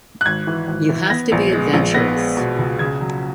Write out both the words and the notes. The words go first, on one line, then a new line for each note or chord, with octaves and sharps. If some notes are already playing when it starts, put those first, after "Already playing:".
You have to be adventurous.
F#6
G#1 G#6
E3
G#1
E3
G#6
B3 A#6
A#1
G#3
A#1
B3 A#6
G#3
B2
C#2
C#3 G#6
F#3